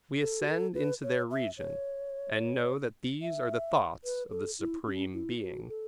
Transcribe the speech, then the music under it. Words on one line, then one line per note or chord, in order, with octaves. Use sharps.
We ascend into their region, and know that these are the thoughts of the Supreme Being.
A4
F#4
A4
B4
C#5
E5
C#5
E5
B4
A4
E4
C#4
E4
F#4
A4